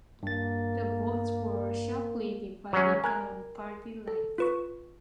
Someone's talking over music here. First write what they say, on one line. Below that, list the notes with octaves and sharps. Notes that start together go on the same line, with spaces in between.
The votes were sharply divided along party lines.
G2 A#3 A6
F#3 C#4
A#4 G#5 F#6 G#6
A4
F4 B4 C#6